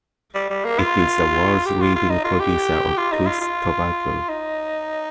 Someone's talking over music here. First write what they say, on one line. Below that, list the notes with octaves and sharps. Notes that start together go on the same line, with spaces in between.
It is the world's leading producer of twist tobacco.
G3
G3
A#3
F4
G4
F4
F4
D#4
F4
G4
F4
D#4
F4
F4
D#4